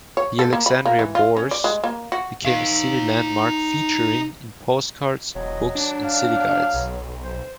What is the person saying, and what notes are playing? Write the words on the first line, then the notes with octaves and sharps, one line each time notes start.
The Alexandria Bourse became a city landmark featuring in postcards, books and city guides.
C#5
A4
A#3
B5
A#3
E3
F4
C#4
D5
G#3
A#3
F#4
D#4 F5
E1 F#3 D#5
D4
F5
B1
C5